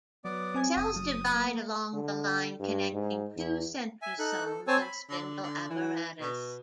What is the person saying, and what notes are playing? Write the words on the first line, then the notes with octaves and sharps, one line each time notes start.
Cells divide along the line connecting two centrosomes of spindle apparatus.
F#3 B3 D5
C4 G#5 G#6
F#1 D#6
F#3
A#3
D3
G2
G#2
E2
E5 G#5
D#4 A4 F#6
A4
C4 C5 C#5 G#5 A5 E6
B5
D3
D3
E3
B2